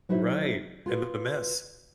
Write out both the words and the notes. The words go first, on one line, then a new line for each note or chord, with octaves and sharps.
Right, and the mess.
F#3 D#4 E4 F#4 C5 E5
F4 F#4 B4